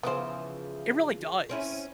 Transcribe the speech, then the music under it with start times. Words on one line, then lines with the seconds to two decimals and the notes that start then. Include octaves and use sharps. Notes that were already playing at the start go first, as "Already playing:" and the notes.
It really does.
0.03 C#3 E3 F3 B3 C5
1.49 C4 C#4 E4